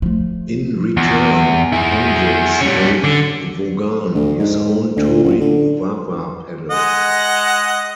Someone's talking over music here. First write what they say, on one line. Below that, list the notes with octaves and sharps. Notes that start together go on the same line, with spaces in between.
In return, Hendrix gave Vaughan his own touring Wah-wah pedal.
F3 A3
E2
E4 G#4
G3 C#4
D3
D2
G#2
D2
F#1
D3
G#3 D#5 F#5